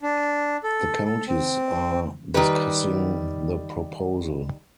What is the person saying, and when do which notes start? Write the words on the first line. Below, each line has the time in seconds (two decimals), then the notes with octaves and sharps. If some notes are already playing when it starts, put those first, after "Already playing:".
The counties are discussing the proposal.
0.02 D4
0.64 A4
1.05 A4
1.27 C4
2.34 D#3 G3 B4